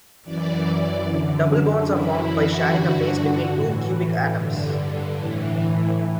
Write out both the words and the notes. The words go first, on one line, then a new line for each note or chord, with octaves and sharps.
Double bonds are formed by sharing a face between two cubic atoms.
F#2 E3 D5
F#2 D3
F#2 E3 E4
F#4
G2 D3
A2 E3
G2 D3
A2 E3